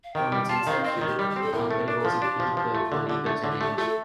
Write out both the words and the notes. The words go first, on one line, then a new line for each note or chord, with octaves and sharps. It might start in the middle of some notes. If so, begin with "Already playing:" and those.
From its inception, the Company was a vehicle for legal challenge.
F5
D#3 G5
G3
F4 A5
D#3 F5
C4 D#5
F4
D#3
G4
G3 G4
G4
C4
A4
A2 A#4
A3
D4 A#4
A4
F3
F4
D4 G4
F3
F3
A3
F4
D3 G4
D3
A3
D3
F4
A3 G4
A3 F4
A4